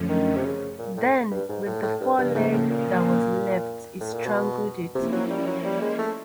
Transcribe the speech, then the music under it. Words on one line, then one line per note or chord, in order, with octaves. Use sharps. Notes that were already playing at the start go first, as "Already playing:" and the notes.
Then with the foreleg that was left, it strangled it.
Already playing: F#2 D3 F3 A3 C#4
D#3
C3
C#3
A#2
A2
G2
G#2
A2
A2
G2
G2 C#3 F3 A#3
G#2
A2
A#2
A2
A#2
B2
C3 F3 A#3 C#4 E4
F#3
G3
F#3
G3
G#3
A3